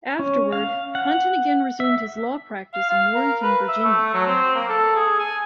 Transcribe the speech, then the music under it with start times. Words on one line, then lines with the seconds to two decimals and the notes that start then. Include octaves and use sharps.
Afterward, Hunton again resumed his law practice in Warrenton, Virginia.
0.19 C#4
0.52 F5
0.95 F#5
1.80 E5
2.74 F5
2.89 F5
3.15 A#4
3.42 B4
3.68 E5
3.84 A3
4.14 F#3
4.27 C4
4.55 A#3
4.69 A4
4.96 G#4
5.19 G#5